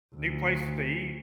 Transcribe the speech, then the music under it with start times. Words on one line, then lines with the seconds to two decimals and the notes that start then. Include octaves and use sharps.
New places to eat,
0.15 D2